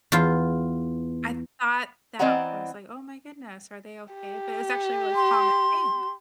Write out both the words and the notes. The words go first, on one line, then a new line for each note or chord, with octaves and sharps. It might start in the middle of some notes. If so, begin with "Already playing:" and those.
I thought that was, like, "Oh my goodness, are they okay?" but it was actually a really common thing.
E2 F4
E3 C4 D5 D#5 F#5 A#5
G4
C6